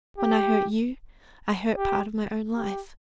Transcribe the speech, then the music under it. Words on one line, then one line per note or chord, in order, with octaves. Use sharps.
When I hurt you, I hurt part of my own life.
G4
G4
G4